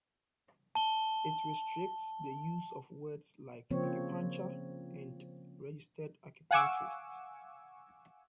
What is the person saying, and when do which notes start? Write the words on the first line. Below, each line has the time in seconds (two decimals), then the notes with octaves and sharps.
It restricts the use of words like "Acupuncture" and "Registered Acupuncturist".
0.75 A5 G7
3.71 C#3 F3 A#3 C4 C#5
6.51 F5 F#5 G#5 C#6 D6 E6